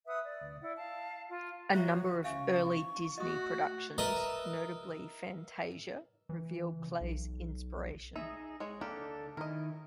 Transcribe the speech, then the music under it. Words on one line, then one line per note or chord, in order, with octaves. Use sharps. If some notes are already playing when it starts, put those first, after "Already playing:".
A number of early Disney productions, notably "Fantasia", reveal Kley's inspiration.
B4 E5 F#5 D#6
D5
E4 D5 F#5
F5 A5
F4
F#4 C5 C#5 E5 A#5
C#4 E5 F5 G#5 C#6
A3 F#4 D#5 D#6
A#4 B4 D#5 E5 A5 A#5
E3
B1
D#4 G#4 D#5 E5
G#3 C#5
A#3 D4 G4 A4
D#3 E4 A#4 D#5